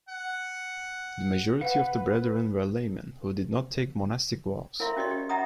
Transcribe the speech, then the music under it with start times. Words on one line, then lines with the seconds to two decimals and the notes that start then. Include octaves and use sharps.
The majority of the Brethren were laymen who did not take monastic vows.
0.09 F#5
1.61 B4 F5 F#5
4.80 E4 A#4 E5 F5 B5 C6
4.97 C#4 F#4 G4 D5 D#5 C6
5.11 G4
5.29 D#5 E5 F#5 A#5 B5 D#6